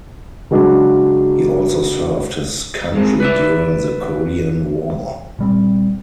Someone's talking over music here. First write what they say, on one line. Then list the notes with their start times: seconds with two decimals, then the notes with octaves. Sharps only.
He also served his country during the Korean War.
0.51 C#3 F#3 G#3 D4
2.95 G#3 C4
3.20 B4 D5 E5
5.39 A#2 G3 C4